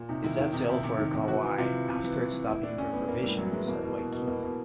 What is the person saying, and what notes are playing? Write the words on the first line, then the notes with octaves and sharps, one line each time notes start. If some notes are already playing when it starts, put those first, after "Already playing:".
He set sail for Kauai after stopping for provisions at Waikiki.
Already playing: A#2
C3 D#4
D#3 E4
D#3
C3 D#4
C3 E4
C3
D#3
C3
E3 F#4
E3
C3 F4
E3
C3
E3
E3
E3
A2 E4
A2 D4
A2 C#4
A2 B3
A2 A#3
A2 G3
E3 F#3
E3 G#3
B2 A#3
B2
B2
B2
B3
B2 A#3
B2